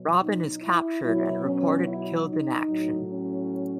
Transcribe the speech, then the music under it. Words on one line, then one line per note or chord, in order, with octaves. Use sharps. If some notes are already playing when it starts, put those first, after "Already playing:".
Robin is captured and reported killed in action.
Already playing: B2 F#3
D#4
E4
B2 F#3 E4
C#4
E4
D#4
A2 F#3
C#4